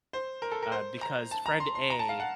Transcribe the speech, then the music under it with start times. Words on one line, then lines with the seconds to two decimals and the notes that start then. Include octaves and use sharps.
uh, because friend A
0.13 C5
0.42 A#4
0.52 A4
0.62 A#4
0.72 C5
1.01 A#5
1.31 A5
1.46 A#5
1.60 C6
1.75 C6
1.90 A#5
1.99 A5
2.09 F5
2.20 F#5